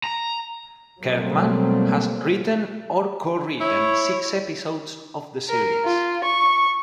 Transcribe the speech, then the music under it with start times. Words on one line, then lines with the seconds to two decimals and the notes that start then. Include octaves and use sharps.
Kirkman has written or co-written six episodes of the series.
0.04 A#5
1.02 B2 F#3 G3 A3 A#3 C4
3.61 E4 C#5
5.49 A#4
5.85 F4
6.25 C#6